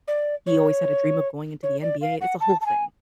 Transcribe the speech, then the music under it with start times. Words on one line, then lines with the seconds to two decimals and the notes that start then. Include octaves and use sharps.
he always had a dream of going into the NBA it's a whole thing.
0.08 D5
0.47 C#5
1.63 C#5
1.82 D5
2.01 F5
2.21 F#5
2.41 A5
2.61 A5
2.66 G#5